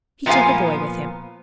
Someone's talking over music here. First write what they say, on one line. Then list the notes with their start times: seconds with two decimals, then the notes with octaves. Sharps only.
He took a boy with him.
0.26 A#2 F3 B3 C#4 F5 G#5